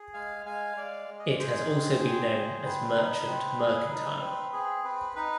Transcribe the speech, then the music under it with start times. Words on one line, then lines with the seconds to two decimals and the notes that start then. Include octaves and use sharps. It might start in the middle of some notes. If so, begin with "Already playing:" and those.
It has also been known as Merchant Mercantile.
Already playing: G#4
0.14 G#3 F5 G#5
0.45 G#3 F5 G#5
0.76 G#3 D5 F5
1.08 G#3
1.19 D#5
1.29 D5
1.40 G#3 G#4 C5
1.71 C4
2.02 C4
2.34 C4
2.65 C4 B4
2.96 D#4
3.28 C4
3.59 G#4
3.91 D#4
4.21 C4
4.52 C4 G#4
4.84 C4 B4
5.16 D#4 B4